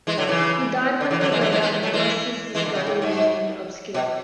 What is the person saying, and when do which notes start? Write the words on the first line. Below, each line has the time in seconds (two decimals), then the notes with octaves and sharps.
He died one year later and thus his discovery remained obscure.
0.07 E3 G#3
0.18 D3 F#3
0.28 C#3 E3
1.01 D3
1.11 C#3 E3
1.20 D3 F#3
1.31 E3 G#3
1.41 D3 F#3
1.52 E3 G#3
1.62 G#3 B3
1.83 F#3 A3
1.93 E3 G#3
2.55 E3 G#3
2.65 D3
2.75 C#3
2.87 A2
3.02 G#2
3.94 B2